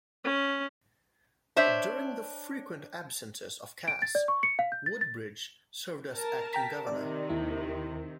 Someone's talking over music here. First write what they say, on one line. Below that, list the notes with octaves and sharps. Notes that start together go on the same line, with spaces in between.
During the frequent absences of Cass, Woodbridge served as acting Governor.
C#4
D4 C5 C#5 E5
D7
A6
D5
C#6
C#7
F5
G6
A6
A6
A#4 A5
G5 A#5 B6
C3 D#3 D5
D#2 E4